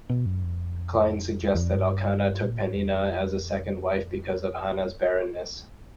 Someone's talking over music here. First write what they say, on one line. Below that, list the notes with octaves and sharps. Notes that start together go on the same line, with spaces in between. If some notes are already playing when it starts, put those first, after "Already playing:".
Klein suggests that Elkanah took Peninnah as a second wife because of Hannah's barrenness.
B2
F#2
F2
E2
E2
F2
G2
A#2
G#2
F2
E2
F2